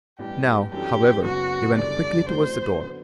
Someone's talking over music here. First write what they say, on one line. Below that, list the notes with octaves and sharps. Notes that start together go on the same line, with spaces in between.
Now, however, he went quickly toward the door.
A1 G2 E3 G3 B3 G4
F#2 E3 B3 D4 G4 A4
F#1 F#2 F#3 B3 F#4
F#1 E2 D3 G3 D5
A1 A2 F#3 C4 C5
D3 F#3 B3